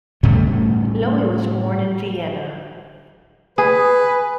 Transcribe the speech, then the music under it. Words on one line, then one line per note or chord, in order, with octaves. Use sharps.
Loewy was born in Vienna.
A2 C#3 G3 A3
G#4 B4